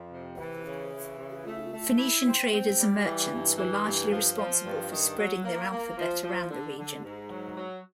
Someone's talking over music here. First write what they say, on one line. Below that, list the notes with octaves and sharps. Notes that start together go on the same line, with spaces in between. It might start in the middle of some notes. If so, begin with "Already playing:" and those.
Phoenician traders and merchants were largely responsible for spreading their alphabet around the region.
Already playing: F2
C3
E3
C#3
E3
C#3
A3
A3
E4
C4
C4
G3
E3
G2
E3
G2
F3
F3
G2
D#3
F#3
A#3
A#3
F3
F3
D3
D3
G#2
F#3
F#3